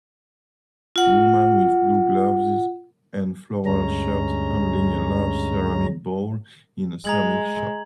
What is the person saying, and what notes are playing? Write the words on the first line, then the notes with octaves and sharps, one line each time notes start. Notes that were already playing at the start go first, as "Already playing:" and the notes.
Woman with blue gloves and floral shirt handling a large ceramic bowl in a ceramic shop.
F4 F#5
D2 G2 G#3 C#4 A#5
G#3 A#5 G#6 F#7